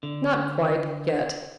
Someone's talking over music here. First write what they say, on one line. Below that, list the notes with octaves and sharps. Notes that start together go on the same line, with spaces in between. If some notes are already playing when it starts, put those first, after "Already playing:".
'Not quite, yet.
D3